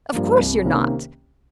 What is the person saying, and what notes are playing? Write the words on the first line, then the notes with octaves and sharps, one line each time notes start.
Of course you're not.
G2 F3 A#3
C2
C3 D#3 A#3 C#4